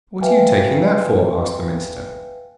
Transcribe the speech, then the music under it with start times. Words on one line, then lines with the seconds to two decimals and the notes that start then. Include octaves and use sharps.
'What are you taking that for?' asked the minister.
0.21 B4 E5 F5 G5 G#5